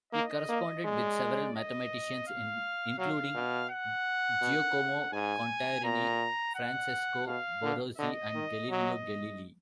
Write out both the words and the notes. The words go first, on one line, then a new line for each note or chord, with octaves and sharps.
He corresponded with several mathematicians including Giacomo Contarini, Francesco Barozzi and Galileo Galilei.
A#3 D#5
A#3
G#3 D5
D#5
F5
F#3 F5
B2
F#5
B2
G#2 G#5
A#2 A#5
F#5
B2 F5
D3
D3 D#5
D#3
F#3 D#5